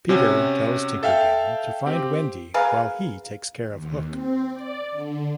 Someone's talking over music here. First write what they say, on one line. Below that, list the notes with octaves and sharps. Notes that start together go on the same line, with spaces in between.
Peter tells Tinker Bell to find Wendy while he takes care of Hook.
C3 C#4 F#4
A4 E5 F5 G5
C4 G4
G#4 A#4 B4 F5
D#2
C4
D5
D3